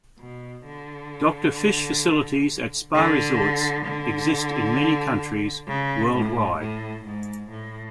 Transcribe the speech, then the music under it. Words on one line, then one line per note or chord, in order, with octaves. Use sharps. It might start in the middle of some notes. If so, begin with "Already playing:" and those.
Doctor fish facilities at spa resorts exist in many countries worldwide.
B2
D3
D3
D3
C#3
A2
A2
G#2
A2